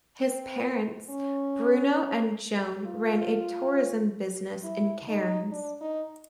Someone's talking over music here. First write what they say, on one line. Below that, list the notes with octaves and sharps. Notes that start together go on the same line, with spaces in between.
His parents, Bruno and Joan, ran a tourism business in Cairns.
C4
C#4
F4
E4
D#4
D4
D#4